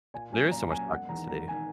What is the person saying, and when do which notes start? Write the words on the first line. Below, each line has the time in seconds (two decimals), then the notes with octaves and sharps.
There is so much toxicity,
0.14 A#2 G#5
0.32 F#3 A#3 C#4 G#5
0.51 A#2 A#5
0.70 F#3 G#5
0.73 A#3 C#4
0.90 E1 F#5
1.09 E2 D#3 A#5
1.28 E1 A#5
1.48 G#5
1.51 D#3